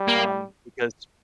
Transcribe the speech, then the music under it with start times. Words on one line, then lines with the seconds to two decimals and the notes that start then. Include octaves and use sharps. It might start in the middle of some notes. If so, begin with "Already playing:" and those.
um, because
Already playing: G3
0.08 A#3